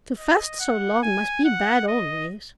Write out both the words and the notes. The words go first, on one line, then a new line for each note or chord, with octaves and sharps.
"To fast so long must be bad always."
D#5
F#5
G#5
F#5
D#5